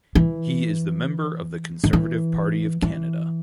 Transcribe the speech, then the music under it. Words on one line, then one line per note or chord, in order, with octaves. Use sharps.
He is the member of the Conservative Party of Canada.
E3
D#3
E3
E3